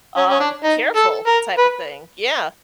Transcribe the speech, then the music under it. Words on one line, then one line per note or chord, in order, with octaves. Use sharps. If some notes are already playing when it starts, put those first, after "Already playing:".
um, careful type of thing, yeah,
C#4
C#4
D4
D#4
A4
A#4
B4